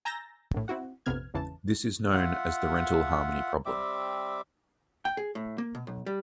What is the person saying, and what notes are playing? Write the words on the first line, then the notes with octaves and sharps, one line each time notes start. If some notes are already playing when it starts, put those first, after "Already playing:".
This is known as the Rental Harmony problem.
G#5 A#5 E6 G6 A6 A#6
A#1 A2
C4 E4 F#4 F#5
A#1 F2 C3 B3 F6 G#6
G#1 E2 C#3 E3 A5
F4 E5 F#5
G3 C4 E5 D6
G5
G#4
A2
A#3
B2
B1
G3